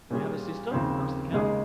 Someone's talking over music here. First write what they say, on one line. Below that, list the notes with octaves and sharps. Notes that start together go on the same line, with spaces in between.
"You have a sister?" asked the count.
A#2 G3 C#4 G#4
D#2 C#3 F3 C4
D#2 C#3 G#3 D#4 G#4